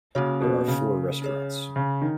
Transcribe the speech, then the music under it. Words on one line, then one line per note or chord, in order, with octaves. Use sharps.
There are four restaurants.
C#3 A#3 C#4 F#4 C#5
B2
C#3
C#4 G#4 C#5
C#3
D#3